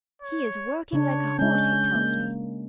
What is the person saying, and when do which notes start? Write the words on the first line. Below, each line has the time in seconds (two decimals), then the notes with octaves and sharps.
He is working like a horse, he tells me.
0.22 C#5
0.93 C#3 D4 C#5
1.39 G#3 C#4 G6
1.95 A#3